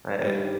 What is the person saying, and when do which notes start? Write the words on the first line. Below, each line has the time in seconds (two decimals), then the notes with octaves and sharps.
I it
0.21 G2 G3
0.37 D#3